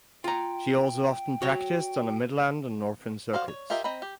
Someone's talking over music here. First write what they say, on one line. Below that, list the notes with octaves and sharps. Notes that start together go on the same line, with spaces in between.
She also often practised on the Midland and Northern Circuits.
F4 G5 A#5
F#4 C#5
F#4 C5 D5 F5
C#5
F4 G4 A#4 D#5 E5
C4 D#5 A#5 B5
G4